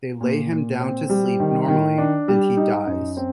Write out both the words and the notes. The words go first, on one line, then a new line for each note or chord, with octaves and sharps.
They lay him down to sleep normally, and he dies.
A#2
A#2
C4
G3
D#3
D#3
D4
G3
D#4
F#2
C4